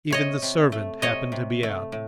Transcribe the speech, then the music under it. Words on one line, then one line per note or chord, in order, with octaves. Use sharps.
Even the servant happened to be out.
C3 C#5 D#5
C3
A3
C3 C#5 D#5
C3
A3
A2